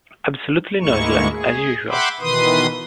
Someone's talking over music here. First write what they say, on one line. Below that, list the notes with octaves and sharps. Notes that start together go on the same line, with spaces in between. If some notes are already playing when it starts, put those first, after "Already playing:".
Absolutely noiseless, as usual.
D2 G#2 G#3 A#3 E4 C#6
G#4
E5 F#5 G5 B5 C6 D6
B2 D#3 E3 B4 C6 D#6